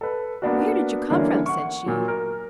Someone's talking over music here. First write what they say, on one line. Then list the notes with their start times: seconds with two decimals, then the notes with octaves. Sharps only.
"Where did you come from?" said she.
0.01 A4 B4
0.42 A#3 B3 D4 F#4
1.10 D3 E3 G3 A#3 C#4 D4
1.46 F#5 C#6
1.86 A#2 F#3
2.08 A#4